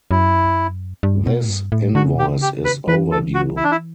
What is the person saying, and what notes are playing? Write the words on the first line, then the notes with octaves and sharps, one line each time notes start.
This invoice is overdue.
F#2 E4
G2
B2
A2
G2
A2
D3 F#4
C#3
B2 G4
C#3
G4
B4
E3 B4
A4
F#4
E4
D4
E4